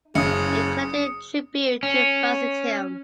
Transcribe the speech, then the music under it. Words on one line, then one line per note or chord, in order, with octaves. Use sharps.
He collected tribute to Byzantium.
F#1 C#3 D#6 C#7
C#4